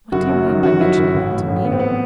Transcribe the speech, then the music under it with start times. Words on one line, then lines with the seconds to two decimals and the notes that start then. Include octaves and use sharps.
"What do you mean by mentioning him to me?"
0.12 F#1 F#4
0.29 F#2
0.47 D#3
0.63 F#1 F#4
0.80 D#3 E4
0.97 F#1
1.14 A1
1.31 A2
1.48 A1
1.65 A1 B3
1.72 C4
1.80 B3